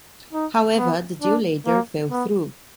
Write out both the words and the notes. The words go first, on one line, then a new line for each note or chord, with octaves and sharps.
However, the deal later fell through.
D#4
B3
D4
A#3
B3